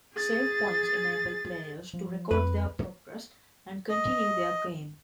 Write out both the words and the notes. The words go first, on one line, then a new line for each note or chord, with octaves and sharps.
Save points enable players to record their progress and continue their game.
G#4 A6
F3
F2 B4
D#5